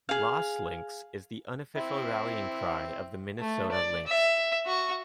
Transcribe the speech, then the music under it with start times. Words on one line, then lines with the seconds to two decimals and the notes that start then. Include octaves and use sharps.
"LosLynx" is the unofficial rallying cry of the Minnesota Lynx.
0.09 G#4 F5
1.76 C4 E4
3.40 A3
3.72 D5
4.07 E5
4.66 F#4 C#6